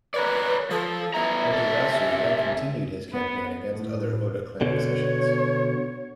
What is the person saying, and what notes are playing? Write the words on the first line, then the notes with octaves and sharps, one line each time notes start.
Motoyasu then continued his campaign against other Oda clan possessions.
A#4 B4 C#5 D5
F3 A4
B3 E4 E5 A#5
C3 A4
B3
A2
B2 D3 C#5